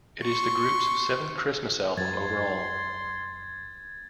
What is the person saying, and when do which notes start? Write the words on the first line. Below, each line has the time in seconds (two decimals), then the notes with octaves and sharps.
It is the group's seventh Christmas album overall.
0.23 C6 C#6
1.97 F#2 C6 G#6 A6